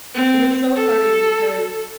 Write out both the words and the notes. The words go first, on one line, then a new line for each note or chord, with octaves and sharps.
And it's so funny because
C4
A4